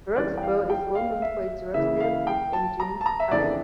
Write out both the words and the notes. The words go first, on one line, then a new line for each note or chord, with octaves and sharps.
Roxburgh is well known for its Roxdale fruit and Jimmy's Pies.
F2 E3 G3 D5
G5
F5
G5
F5
E5
C#3 E3 A#3 E4 E5
F5
G5
A5
A#5
A5
A#5
E5
F2 C#3 E3 A3 D4 D5